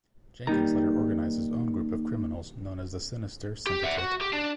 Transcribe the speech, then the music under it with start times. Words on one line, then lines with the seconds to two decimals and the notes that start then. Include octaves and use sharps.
Jenkins later organized his own group of criminals known as the Sinister Syndicate.
0.47 D#3 G3 A#3 D#4 A#5
3.67 G4
3.84 E5 F#5
3.99 F#4
4.21 G4
4.33 D4